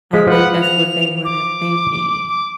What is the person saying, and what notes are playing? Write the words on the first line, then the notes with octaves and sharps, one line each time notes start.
I think that's what they were thinking.
F3 G#3 B6
F3 B4 F#5
F7
D6
D6